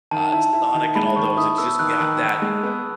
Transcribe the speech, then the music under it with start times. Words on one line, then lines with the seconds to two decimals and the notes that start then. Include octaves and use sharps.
uh, Sonic and all those, it's just got that
0.11 D#3 A5
0.32 E4 A5
0.53 E4 A5
0.74 D#3 A5
0.95 G#3 B5
1.16 D#3 C#6
1.37 E4 D#6
1.58 B3 E6
1.79 D#3 F#6
2.00 D#3
2.22 D#3
2.42 G#3
2.63 B3